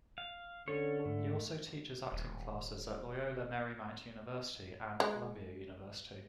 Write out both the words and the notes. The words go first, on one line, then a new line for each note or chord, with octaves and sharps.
He also teaches acting classes at Loyola Marymount University and Columbia University.
F5
D3 C#4 A4 C#5
G#2 A3
D#1
G#3